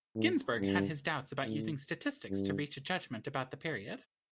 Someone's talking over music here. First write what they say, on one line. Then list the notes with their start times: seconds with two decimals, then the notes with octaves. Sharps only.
Ginzburg had his doubts about using statistics to reach a judgment about the period.
0.15 A2
0.58 G2
1.44 A2
2.30 G2